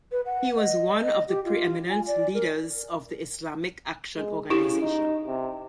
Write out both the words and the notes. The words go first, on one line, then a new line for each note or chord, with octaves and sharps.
He was one of the preeminent leaders of the Islamic Action Organisation.
B4
F#5
D#5
D#5
G4
F4
G#5
D5
A#4
G#3
C#3 E4 G4
D#4
C3